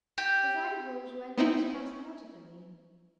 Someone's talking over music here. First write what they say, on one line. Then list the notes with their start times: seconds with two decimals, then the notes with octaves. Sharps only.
His eyebrows went up spasmodically.
0.18 G4
1.38 B3 C4 D#4 E4